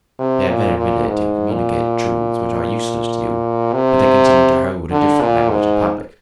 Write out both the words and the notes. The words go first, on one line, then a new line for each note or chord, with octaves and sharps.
They are very ready to communicate truths which are useless to you, but they continue to hold a different language in public.
C3
A#2
A#2
G#2
A#2
C3
D3
A#2
G#2